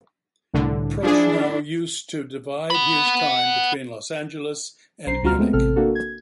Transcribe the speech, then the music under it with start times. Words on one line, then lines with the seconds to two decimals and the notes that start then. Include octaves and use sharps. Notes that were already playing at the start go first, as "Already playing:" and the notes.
Prochnow used to divide his time between Los Angeles and Munich.
0.54 C2 A2 D3
1.03 F3 D4 E4 G#4
2.70 F#5 B5
5.06 B1 C5 A#5 C7
5.23 D2 G3 F4 F#4 A#5 F6
5.38 G#3 A3 B3 C4
5.53 A1 C3 C4 A4 F6
5.76 A#3 D4 F#4 A4
5.95 G#6